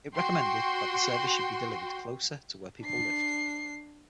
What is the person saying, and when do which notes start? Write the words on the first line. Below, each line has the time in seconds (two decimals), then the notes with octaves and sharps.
It recommended that the service should be delivered closer to where people lived.
0.16 F#4 G5 C6
2.82 D4 C7